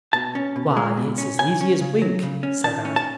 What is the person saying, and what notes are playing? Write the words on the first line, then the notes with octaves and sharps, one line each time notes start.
"Why, it's as easy as wink," said Anne.
B2 A5
C#4
B2
G#3
B2
C#4
C#3 G#5
C#4
C#3
F#3
C#3
C#4
D#3 A5
C#4
A5